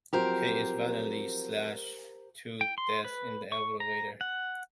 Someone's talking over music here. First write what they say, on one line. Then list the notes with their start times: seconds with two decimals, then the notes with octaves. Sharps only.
Kate is violently slashed to death in the elevator.
0.13 F3 F#3 C4 G4 A#4 C5
2.61 G5
2.78 C6
3.05 B4
3.52 C#6
3.80 A#5
4.21 F#5